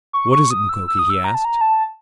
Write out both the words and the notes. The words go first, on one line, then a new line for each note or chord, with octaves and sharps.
"What is it, Mukoki?" he asked.
C#6
C#6
D#6
E6
E6
D#6
E6
A#5
A5
A#5
A5